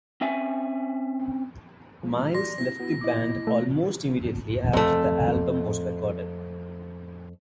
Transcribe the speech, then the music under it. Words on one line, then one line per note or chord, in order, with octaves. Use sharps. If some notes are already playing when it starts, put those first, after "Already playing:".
Myles left the band almost immediately after the album was recorded.
C4 C#4 E5 G#5
F3 G#3
D5 C6 A#6
C4 E4 A#6
B3 E4 F#4
E4 D#5 D6
A3
F2 A3